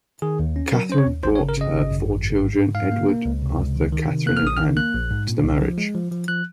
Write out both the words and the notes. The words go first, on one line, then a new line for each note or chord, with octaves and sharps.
Katherine brought her four children Edward, Arthur, Katherine and Ann to the marriage.
D#3 G#4
D#2
C#4
F#3 A#4
C#4 C5
C#5
D#2
G#1 C5
C#5
C#3
A#4
C#3 D#5
G#1
F#2
G#1
G#2
G#2
G#2
G#2 F5
A#3
A#3
C#2
C3
C#2
D#3
D#3
C3
A#3 F#6
F6
A#1 D#6
F6
D#3
A#3 F#6
A#1
G#2
A#2
C2
F3
G#3
F3
F3
F3 F#6